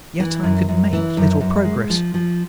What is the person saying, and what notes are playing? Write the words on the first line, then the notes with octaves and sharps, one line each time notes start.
Yet I could make little progress.
E3
F#2
F#2
E3
F#2
F#2
G#3
F3
F3